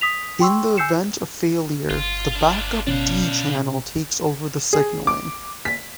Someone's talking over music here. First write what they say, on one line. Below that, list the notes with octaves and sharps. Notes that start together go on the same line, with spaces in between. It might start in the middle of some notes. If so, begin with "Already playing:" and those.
In the event of failure the backup D channel takes over the signaling.
D#6 B6 F7
G5 C6 C#6 E6
G#5 E6 G6 C7 C#7 E7
G1 F4
D4 F4
B2 C#4 D4 F5
G#4
D6
B6